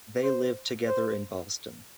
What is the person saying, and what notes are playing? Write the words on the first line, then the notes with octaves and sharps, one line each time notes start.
They live together in Boston.
C5
C5